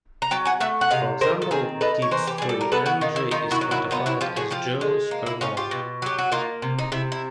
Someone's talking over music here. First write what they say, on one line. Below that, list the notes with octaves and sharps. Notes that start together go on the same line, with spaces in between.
For example, Gibbs free energy is quantified as joules per mole.
A#5
F#3 G5 A5
F#5 G#5
A3 E5 F#5
F#5
C3 D#5 F5
D#3 A#4 C5
A4
C4 G#4 A#4
D#4 A4 B4
C#5
E3 A#4 C5
G4
G3 G#4
A4
A#4
B3 A4 B4
E4 F#4
D#3 D#4 F4
E4
D#3 D#4 F4
E4 F#4
F#3
E4 F#4
B3 D#4 F4
E4 F#4
F3 F4 G4
F#4 G#4
F3 F4 G4
G#3
A#3
E4
C#4 D#4 F4
F4 G4
B2
F#3 G4
F#4
A#3 D#4 F4
C3
D#4
C3 E4
E4